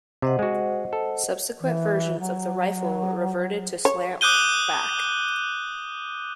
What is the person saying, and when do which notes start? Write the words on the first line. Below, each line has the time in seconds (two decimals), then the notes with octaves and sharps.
Subsequent versions of the rifle reverted to slant-back.
0.22 C3 C5 D#5 F#5
0.39 G#3 F#4
0.93 A4
1.61 E3
2.20 F#3
3.85 C#5
4.21 D6 D#6 F#6 G6 D#7 G7